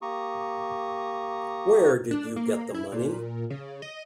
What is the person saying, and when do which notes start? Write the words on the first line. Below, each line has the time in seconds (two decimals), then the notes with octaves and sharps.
Where did you get the money?
0.02 A#3 G4 A#5 C#6 D#6
2.11 D4
2.36 A#3
2.74 E4
2.92 A#2
3.50 C#3
3.82 D#5